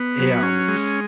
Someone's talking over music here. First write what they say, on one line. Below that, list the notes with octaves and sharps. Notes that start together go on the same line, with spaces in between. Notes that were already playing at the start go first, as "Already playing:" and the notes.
a, um, s
Already playing: B3
F#3
C#4
G#3